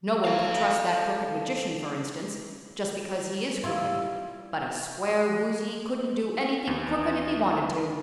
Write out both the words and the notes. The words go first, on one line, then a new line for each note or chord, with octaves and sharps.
"No one could trust that Crooked Magician, for instance, just because he is crooked; but a square Woozy couldn't do anything crooked if he wanted to."
A4 F5
G3 E4 F4
D#2 E3 B3